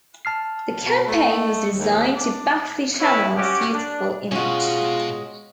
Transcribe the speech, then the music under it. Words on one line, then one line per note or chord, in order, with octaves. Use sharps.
The campaign was designed to back the channel's youthful image.
A5 F6 C7
B2
A3
D#5 E5
D#2
D4
E4 B4 C#5
C#4 F#4 G4 D6
D4
B2 G#3 C#4 F4 F#4